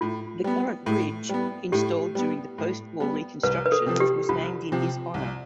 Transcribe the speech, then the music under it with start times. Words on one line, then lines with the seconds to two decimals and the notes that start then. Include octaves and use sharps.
The current bridge, installed during the post-war reconstruction, was named in his honor.
0.01 A2 F4
0.44 G3 B3
0.86 A2
1.29 G3 B3
1.72 A2 G4
2.15 G3 B3
2.58 A2
3.00 G3 B3
3.43 C2 B4
3.66 B4
3.72 A4
3.86 C3 F3
4.00 G4
4.29 C2 F4
4.72 C3 F3
5.14 C2